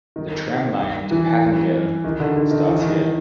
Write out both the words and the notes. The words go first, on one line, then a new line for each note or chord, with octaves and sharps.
The tramline to Hattingen starts here.
D#3
E3
D#3
D3
D3
D#3
E3
D#3